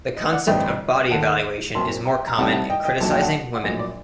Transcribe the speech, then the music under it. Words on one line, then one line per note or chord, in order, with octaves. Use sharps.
The concept of body evaluation is more common in criticizing women.
D#5
D5 F#5
A1 G2 D3 G3 C4 D#5 G5
D#2 D#3 A3 F#5 A5
F#1 F#2 F#3 C4 A5 C6
G5 A#5
A#5
C2 C3 G3 C4 D#4 F#5 A5
F#5 A5
D#5 G5
D#5 G5
A#1 A#2 F#3 A5
G5
F#5 A5
F#5
A#1 A#2 F#3 D#5
D5